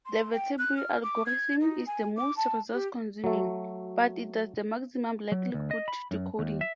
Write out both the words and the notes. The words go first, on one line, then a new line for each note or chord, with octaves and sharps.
The Viterbi algorithm is the most resource-consuming, but it does the maximum likelihood decoding.
C6
G5
F#6
F6
D6
G#6
D#4
G#5
D6
A5
G4
F#3 A3
F#3
D2
D#5
B5
F#2
D#2
E5